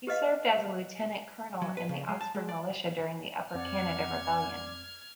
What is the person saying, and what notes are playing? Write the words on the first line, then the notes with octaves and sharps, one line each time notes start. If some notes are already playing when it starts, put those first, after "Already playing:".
He served as a lieutenant-colonel in the Oxford militia during the Upper Canada Rebellion.
G4 B4 D#5 F5
F#3
B4
C#3
G#3
A5
G#3
D5
F2 C4 D5 F#5 F6 G#6